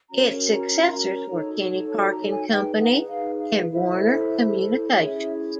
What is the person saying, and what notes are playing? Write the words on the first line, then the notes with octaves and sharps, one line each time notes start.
Its successors were Kinney Parking Company and Warner Communications.
C#4 F#4 A#4 C#5 A#5
A#5
D#4 F#4 A4 C#5
A5
A#5
G#5
D#4 G#4 B4 G5
F#5
F5
F5
E4 A4 C5 E5
C#4 E4 G#4 C#5 E5